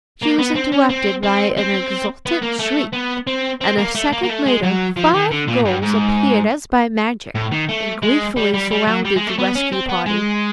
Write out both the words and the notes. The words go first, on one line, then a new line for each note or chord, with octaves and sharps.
She was interrupted by an exultant shriek, and a second later five girls appeared as by magic and gleefully surrounded the rescue party.
A#3
B3
C4
C#4
C4
C4
C4
B3
A#3
A3
B3
C4
C4
A#3
A3
A#3
A#3
A3
G#3
F#3
F3
D#3
D3
A#2
G2
G#2
A2
D#3
A3
G#3
G3
G3
G3
F#3
G3
G#3
A3
B3
C#4
C4
B3
G#3